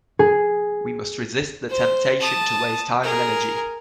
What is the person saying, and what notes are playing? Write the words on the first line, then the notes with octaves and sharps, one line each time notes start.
We must resist the temptation to waste time and energy.
G#4
C5
A5 D#6
G#4 A#4